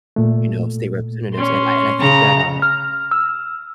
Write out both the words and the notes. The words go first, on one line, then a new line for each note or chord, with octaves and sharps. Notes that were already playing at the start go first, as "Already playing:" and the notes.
you know, state representatives and I and I think that, uh,
A#2 A3
C#4 C6
C#3 A#5
F6
E6